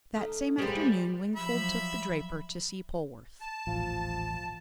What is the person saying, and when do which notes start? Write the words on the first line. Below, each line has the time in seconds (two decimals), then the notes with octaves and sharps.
That same afternoon, Wingfold took the draper to see Polwarth.
0.16 A3 D#4 F5
0.58 G3 G#3 A#3 C4 G4 G#4 C5
1.36 F3 F#3 E5 B5
3.40 A5
3.67 D#1 A1 F3